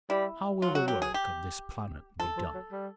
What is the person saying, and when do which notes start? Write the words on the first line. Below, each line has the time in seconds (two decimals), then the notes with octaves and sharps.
How will the work of this planet be done?
0.09 G3 E4
0.62 F#3 F4
0.75 F#4
0.88 G4
1.02 G#4
1.14 G4
2.20 F3 A4
2.37 F3
2.54 F#3
2.72 G3